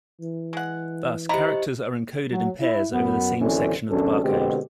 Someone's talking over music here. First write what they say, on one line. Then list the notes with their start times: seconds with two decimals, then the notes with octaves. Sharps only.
Thus characters are encoded in pairs over the same section of the barcode.
0.21 E3
0.53 G#3 F#5
1.29 E4 G4 C5 D#5 A#5
2.31 F#3
2.60 E4
2.93 F#2 B3
3.40 A#1 F#2 D3 E3 C4 C#4
3.90 G#1 F#2 B2 C#4 D4 A4
4.24 B2 D3 G#3 C4 G4